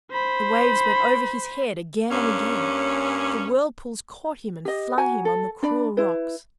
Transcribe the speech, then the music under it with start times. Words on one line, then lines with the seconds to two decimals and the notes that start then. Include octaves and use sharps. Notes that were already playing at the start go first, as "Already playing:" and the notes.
The waves went over his head again and again, the whirlpools caught him and flung him on the cruel rocks.
0.12 C5 B5
2.11 G2 A#3 C#4
4.65 G4 D#5
4.97 F#4 F#5 G#5 A#5
5.25 A4
5.63 D4 D5 B5
5.97 E4 B4